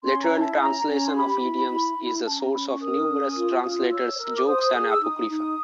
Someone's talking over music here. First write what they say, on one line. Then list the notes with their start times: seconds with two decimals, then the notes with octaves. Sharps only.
Literal translation of idioms is a source of numerous translators' jokes and apocrypha.
0.04 C#4 C6
0.22 A#5
0.31 E4
0.40 A5
0.52 A5
0.59 C#4 A#5
0.87 C#4
1.07 C6
1.14 G4 B5
1.42 E4
1.70 E4
1.97 E4
2.25 C#4 A5
2.40 A#5
2.53 C#4 B5
2.67 C#6
2.81 A#4 D#6
3.08 C#4
3.36 F4
3.64 F4
3.90 C#5 E6
4.18 A#4
4.37 D6
4.46 C5 D#6
4.74 G#4
4.90 E6
5.01 D#4 D#6
5.29 D#4